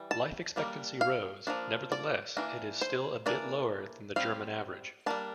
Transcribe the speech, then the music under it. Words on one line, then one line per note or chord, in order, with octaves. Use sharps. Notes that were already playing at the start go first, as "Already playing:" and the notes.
Life expectancy rose, nevertheless it is still a bit lower than the German average.
Already playing: E3 G3
A5
G3 A#3 D4
F5
F3 A#3 D4
D5
E3 A#3 D4
C5
E3 A#3 D4 D5
G3 C4 F5
G3 A#3 D4 A5